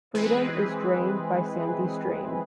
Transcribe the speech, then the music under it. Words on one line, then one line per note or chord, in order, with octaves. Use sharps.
Freedom is drained by Sandy Stream.
E3 G#3 C4 G#4 B4